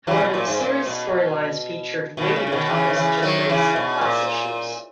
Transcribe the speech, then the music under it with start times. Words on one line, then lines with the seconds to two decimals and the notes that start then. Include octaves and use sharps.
However, the series' story lines featured weightier topics such as race and class issues.
0.07 C#3 E3
0.20 B2
0.34 A#2
0.47 G#2
0.60 A#2
0.86 B2
2.17 B2 D#3
2.36 C#3
2.47 C#3
2.52 B2 D#3
2.70 C#3 E3
2.90 D#3
2.96 C#3 E3
3.22 D#3 F#3
3.49 C#3 E3
3.76 B2
4.01 A#2